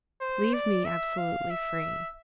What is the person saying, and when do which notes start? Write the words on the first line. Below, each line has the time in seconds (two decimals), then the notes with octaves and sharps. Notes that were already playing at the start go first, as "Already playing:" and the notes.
Leave me absolutely free.
0.21 C5
0.53 D5
0.85 E5
1.18 F5
1.50 E5